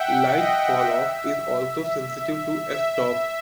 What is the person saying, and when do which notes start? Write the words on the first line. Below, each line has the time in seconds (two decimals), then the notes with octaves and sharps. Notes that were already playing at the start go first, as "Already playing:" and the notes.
Light falloff is also sensitive to f-stop.
Already playing: E5 F#5 G5
0.38 D#5
0.85 E5
2.69 E5